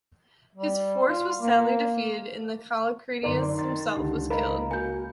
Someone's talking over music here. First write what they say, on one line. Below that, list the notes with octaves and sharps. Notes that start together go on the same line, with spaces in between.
His force was soundly defeated, and Callicratidas himself was killed.
G3
F4
A#3
F#2 D3 D#4 A#4 D5 C6
D#3 C6 A6
C#2 D3 G4
A#4 D#5 F5 B5
A#3 F#4 G#5 G6